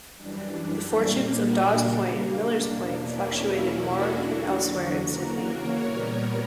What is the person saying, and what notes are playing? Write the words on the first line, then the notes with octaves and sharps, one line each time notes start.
The fortunes of Dawes Point and Millers Point fluctuated more than elsewhere in Sydney.
F#2 E3 G3 D4
D4
A#2 G3 A#3
D4 F#4
C#3 G3 A#3
D4
E2 B2 A#3
C#4 E4
E2 B2 A#3
D4 F#4
E2 D3 F#3
C#3 E3 A#3 F#4 A#4
A#4 C#5
A#2 G3 B3